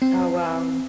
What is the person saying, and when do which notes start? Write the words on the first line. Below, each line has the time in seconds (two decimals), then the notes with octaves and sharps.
Oh wow.
0.02 C4